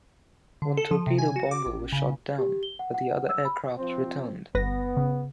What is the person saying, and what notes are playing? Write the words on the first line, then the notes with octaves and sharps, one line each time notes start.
One torpedo bomber was shot down, but the other aircraft returned.
D3
A4
F3
C3
G#5
F#4
D6
A1
C#3
G4
G7
F#5
F#5
E6
B5
F3 C4
G1 B3 B4 A#6
C#3